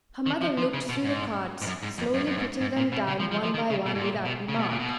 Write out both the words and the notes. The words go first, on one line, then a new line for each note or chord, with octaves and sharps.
Her mother looked through the cards, slowly putting them down one by one without remark.
D#3
F3
F3
C#3
B2
G#2
G#2
F#2
G#2
F2
F#2
F#2
G#2
G#2
A#2
B2
C#3
F3
F3
F3
D#3
C#3
B2
G#2
A#2
B2
C#3
B2
A#2
B2